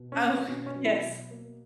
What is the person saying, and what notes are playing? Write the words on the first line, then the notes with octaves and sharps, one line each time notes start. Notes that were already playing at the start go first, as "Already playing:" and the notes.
Oh, yes.
Already playing: B2
C#4
A#3
B3
B2 C#4
C#4
F#3
E4
B2
A#3